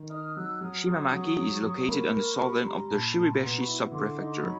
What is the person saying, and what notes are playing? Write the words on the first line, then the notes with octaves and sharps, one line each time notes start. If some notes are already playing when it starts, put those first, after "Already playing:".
Shimamaki is located on the southern of the Shiribeshi Subprefecture.
Already playing: D#3
D#4 D#6 F6
F#3 E6 F#6
F#3 D#6 F6
F#3 C#6 D#6
F#3
F#3
F#3
A#3 B5 C#6
A#4
G3 B5 C#6
G3 A#5 C6
A#2 A5 B5
A#2
B2 A#5 C6
B5 C#6
E4
D3 C6 D6
D#4
F#3 B5 C#6